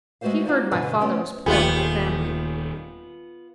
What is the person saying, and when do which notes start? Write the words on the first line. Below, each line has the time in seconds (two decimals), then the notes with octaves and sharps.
He heard my father was poor, with a family.
0.21 G#3 A3 F#4 B4 C5 F5
0.46 D4 D#4 F4 F#4 C5 D5
0.71 G2 B2 D3 A4 B4 G#5
1.00 A3 B3 C#4 F#4 G5
1.46 D#1 D#2 A3 B3 F4 G4 G#4